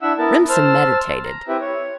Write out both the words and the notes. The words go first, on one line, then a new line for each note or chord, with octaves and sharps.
Remsen meditated.
D4 E4 E5 F#5 E6
B3 E4 A#4 A5
C5 A5 E6 F6
A#5
C4 E4 G4 B4 E5
C#5